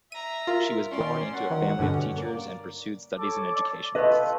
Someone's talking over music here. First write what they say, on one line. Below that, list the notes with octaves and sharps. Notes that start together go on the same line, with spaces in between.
She was born into a family of teachers and pursued studies in education.
E5 A#5 D#7
F4 A#4
C#4 D5 C6
F#3 A#3 C#4 F#5
G2 B2 D3 C#4
A#3 D5
A4 C#5 D6
D5
A3 F4 B4 D#5